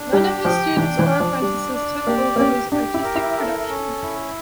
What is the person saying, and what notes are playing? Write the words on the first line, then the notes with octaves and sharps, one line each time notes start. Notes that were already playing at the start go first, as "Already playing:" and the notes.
None of his students or apprentices took over his artistic production.
Already playing: D4
G3 G4
F3 G5
E3 D4
E3
D5
F3
G3 D4
D5
A#3 G4
A#3
C#4 G4
D4 G4
E4
A#4
E4
A4
C#4
E4